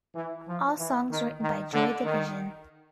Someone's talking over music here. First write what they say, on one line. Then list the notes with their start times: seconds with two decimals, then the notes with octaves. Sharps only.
All songs written by Joy Division.
0.15 E3
0.47 F3
0.78 E3
1.10 D#3
1.41 D#3
1.72 D3
2.04 D#3